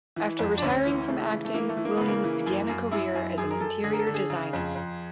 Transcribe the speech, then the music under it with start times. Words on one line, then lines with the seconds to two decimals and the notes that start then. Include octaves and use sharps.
After retiring from acting, Williams began a career as an interior designer.
0.16 E3
0.39 F2
0.58 D4
0.62 D2 C#4
0.85 E3
1.08 C#3 A3
1.32 E3
1.45 A3
1.54 E3 A#3
1.69 A3
1.77 E3
1.85 A#3
1.97 C#3 B3
2.08 A#3
2.23 E3
2.46 F#2
2.69 F#2
2.91 F#2 E4
3.15 F#2
3.38 F#2 G#4
3.50 A#4
3.61 F#2 A4
3.84 D3 G#4
3.93 A#4
3.99 A4
4.07 D3
4.14 G#4
4.30 C#3
4.53 F2
4.76 F2